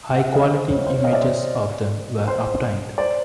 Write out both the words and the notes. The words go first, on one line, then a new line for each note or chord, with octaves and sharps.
High-quality images of them were obtained.
E5 F#5
D#5 F5
C5
C#5
C5
C#5
D#5 F5
D5 E5
C5
C5
C5 D5